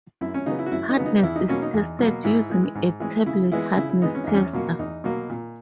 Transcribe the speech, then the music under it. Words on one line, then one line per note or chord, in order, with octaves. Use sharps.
Hardness is tested using a tablet hardness tester.
F#2 E4
C#4
C#3 F#3 B3 D#4
E4
F#4
F#2 E4
D#4
C#3 F#3 B3
D#4
E2 E4
D#4
B2 F#3 A#3 C#4
D#4
E2
B2 F#3 A#3
G#2 E4
E3 G#3
G#2
E3 G#3
C#3 E4
E3 G#3 B3 E4
C#3 E4
E4
E3 G#3 B3 D#4
C#4
E2 D#4
C#4
B2 F#3 A#3
E2 D#4
B2 F#3 A#3
A#2